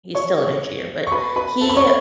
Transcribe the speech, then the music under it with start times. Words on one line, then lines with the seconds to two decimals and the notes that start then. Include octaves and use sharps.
He's still an engineer, but he
0.15 C#5 C#6
1.07 C#6
1.12 B4 B5
1.36 B4 B5
1.61 A4 A5
1.69 B5
1.77 C#5 C#6